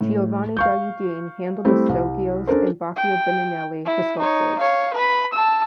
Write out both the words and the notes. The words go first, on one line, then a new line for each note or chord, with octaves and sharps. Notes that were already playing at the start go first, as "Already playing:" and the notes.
Giovanni da Udine handled the stuccoes and Baccio Bandinelli the sculptures.
A2
F5 C#6 G6
G3 A3 C4 E4
C2
C#4 D4 A4 A#4 C5
G5
E4
D#4 C#5
C#5 F5
B4 B5
A5 E6